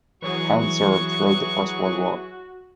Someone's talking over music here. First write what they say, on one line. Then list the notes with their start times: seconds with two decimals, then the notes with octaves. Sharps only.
Pound served throughout the First World War.
0.22 E3 F#3 F#4 G#4 C#6